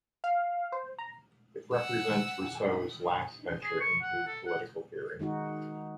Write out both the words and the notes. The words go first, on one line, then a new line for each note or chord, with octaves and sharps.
It represents Rousseau's last venture into political theory.
F5
C5
A#5
F#5 E6
G#4
C#6
F#5
A4
F#5
D#3 G#3 D#4 F#4